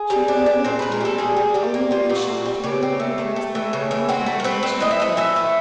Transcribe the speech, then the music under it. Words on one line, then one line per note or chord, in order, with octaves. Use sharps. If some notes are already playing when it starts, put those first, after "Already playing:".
She remembered again, only with the shock of hearing him address the newcomer by the name she had given.
Already playing: G#4
G3
D4
D4
A#2 C5
A#2 B4
A#4
G3 A4
G3 G#4
G3
D4 G4
A#3
G3 F4
A#2 G4
F#4
A#2
G3
C#3 G4
C4
A3
A3
A3
E3
C#3
E3
C4 F#4
A3
A#4
C4 B4
C4
E3 D#5
E5
A3 D#5
E3 E5
A3